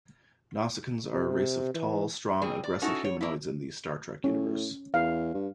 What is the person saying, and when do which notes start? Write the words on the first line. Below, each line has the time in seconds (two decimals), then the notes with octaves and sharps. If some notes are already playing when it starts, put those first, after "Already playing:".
Nausicaans are a race of tall, strong, aggressive humanoids in the "Star Trek" universe.
1.14 C3
1.74 E3
2.42 G3 C4 G#4
2.64 D5
2.82 C#4 D#4 E4 F#4 A4
3.04 C#5
3.21 A#3 E4
4.24 A2 C#4
4.94 E2 F5
5.34 G2